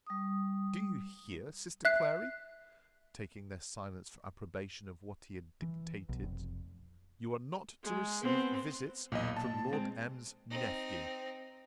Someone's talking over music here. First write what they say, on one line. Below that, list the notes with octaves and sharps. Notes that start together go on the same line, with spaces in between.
Do you hear, sister Clary? taking their silence for approbation of what he had dictated; you are not to receive visits from Lord M.'s nephew.
G3 D#6
E5 F#6 C7
E3
B1
F1
G#3
B3 C4
B1 E2 A#2 D#5
A5
G#3 C4
C4 D#4